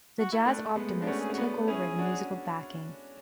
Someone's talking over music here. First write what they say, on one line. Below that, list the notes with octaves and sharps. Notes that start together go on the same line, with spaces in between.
The Jazz Optimists took over the musical backing.
F#4
E4
A3 D4
G#3 B3
D4
A3 C#4 F#4
G#4
C#4
B3 D4 F#4
C#4 E4 G#4
D4 F#4